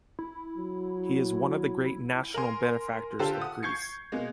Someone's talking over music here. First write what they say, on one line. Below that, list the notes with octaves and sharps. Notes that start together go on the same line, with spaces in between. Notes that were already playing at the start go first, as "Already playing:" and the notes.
He is one of the great national benefactors of Greece.
E4
F#3
A#4 G#5 C6
D3 F4 G4 A4 C5
F#5 D#6
C#6 G6 G#6 C7 C#7
B2 G#3 A#3